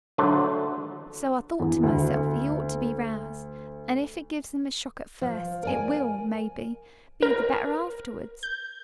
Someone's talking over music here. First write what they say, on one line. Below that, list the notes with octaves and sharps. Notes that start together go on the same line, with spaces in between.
So I thought to myself, he ought to be roused; and if it gives him a shock at first, it will, maybe, be the better afterwards.
D3 F#3 A3 D4 C5 A5
E2
D2
F3
A#4 D5 G#5
A#4
G6